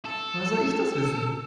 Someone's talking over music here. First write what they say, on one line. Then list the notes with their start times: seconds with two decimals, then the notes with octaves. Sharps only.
Woher soll ich das wissen?
0.05 A4